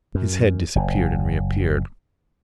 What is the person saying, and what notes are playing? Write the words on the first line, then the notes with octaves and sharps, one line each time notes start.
His head disappeared and reappeared.
F#2
F#1